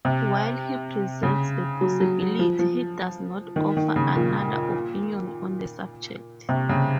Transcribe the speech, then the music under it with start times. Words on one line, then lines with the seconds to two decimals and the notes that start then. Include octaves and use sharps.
While he presents the possibility, he does not offer another opinion on the subject.
0.05 C3
1.23 C#3
1.81 F#3
2.00 F#3
2.20 F#3
2.39 F3
2.59 F3
3.56 D#3
3.76 D#3
3.96 C#3
4.15 A#2
6.49 C3
6.69 C#3